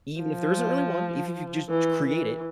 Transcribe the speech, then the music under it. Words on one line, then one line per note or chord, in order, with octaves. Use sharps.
even if there isn't really one, eve if you just create it
F3
E3
E3